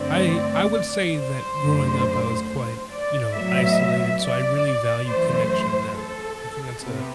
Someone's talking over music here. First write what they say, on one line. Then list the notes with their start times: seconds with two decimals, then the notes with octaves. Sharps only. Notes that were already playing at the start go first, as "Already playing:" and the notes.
I I would say that growing up, I was quite, you know, isolated, so I really value connection now. I think that's a
Already playing: G2 D3 A3 C4 D5
1.17 C5
1.60 F#2 D3 A3
2.92 D5
3.35 A2 F#3 B3 E5
4.23 D5
5.10 F#2 E3 A3 C5
5.97 A4
6.84 C3 B3